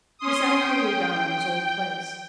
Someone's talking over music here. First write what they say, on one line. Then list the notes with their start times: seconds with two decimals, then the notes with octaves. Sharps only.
He sat coolly down in his old place.
0.18 C#4 C6 D#6
0.52 G5